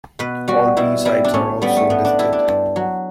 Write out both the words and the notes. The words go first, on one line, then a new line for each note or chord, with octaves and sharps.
All B-sides are also listed.
B2 B4
G3 F#4
B2 E4
G3 E4
D4
A2 C#4
G3 B3
A3
A2 B3
D4
G3 E4
D4
G2
F#3